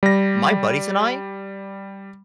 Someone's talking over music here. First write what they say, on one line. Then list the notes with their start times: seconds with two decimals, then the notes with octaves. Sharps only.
My buddies and I,
0.03 G3 A#6